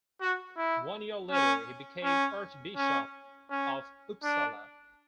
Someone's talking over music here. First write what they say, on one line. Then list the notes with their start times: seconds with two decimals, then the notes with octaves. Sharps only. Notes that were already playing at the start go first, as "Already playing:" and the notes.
One year later he became Archbishop of Uppsala.
0.21 F#4
0.57 E4
1.31 C#4
2.04 C#4
2.77 C#4
3.50 C#4
4.23 D4